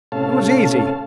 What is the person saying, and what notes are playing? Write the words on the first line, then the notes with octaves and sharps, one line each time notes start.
It was easy.
A2 C3 C#4 A4 F5 A5